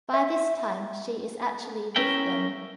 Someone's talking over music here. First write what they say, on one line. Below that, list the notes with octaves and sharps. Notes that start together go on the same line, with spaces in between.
By this time she is actually with them!
E5
C#4 E4 A#4 E5 G5